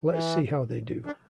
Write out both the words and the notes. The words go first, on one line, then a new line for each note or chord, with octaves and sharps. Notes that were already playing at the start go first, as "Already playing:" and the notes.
Let's see how they do.
E3
D4